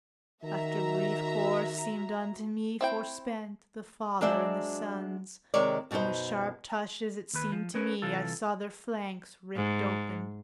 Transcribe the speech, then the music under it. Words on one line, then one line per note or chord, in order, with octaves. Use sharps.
After brief course seemed unto me forespent The father and the sons, and with sharp tushes It seemed to me I saw their flanks ripped open.
D#3 F#4 E5 A#5
C4 E4 G5
F#3 G#3 D4 C5 D5 E5
C3 D#3 G#3 C#5 D5
F#2 B2 B3 D#4 C5
D#2 B4
F3
C#4 A#4 B4 C#5
C2 E3 F4 A4
G#2